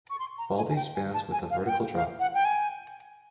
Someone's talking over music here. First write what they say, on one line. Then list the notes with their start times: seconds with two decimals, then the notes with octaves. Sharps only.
Baldy spans with a vertical drop.
0.10 C#6
0.19 C6
0.38 A#5
0.56 G#5
0.70 G#5
0.76 G5
0.95 G#5
1.14 A5
1.32 G#5
1.50 F5
1.66 F#5
1.69 G5
1.95 F5
2.19 F#5
2.34 G5
2.45 G#5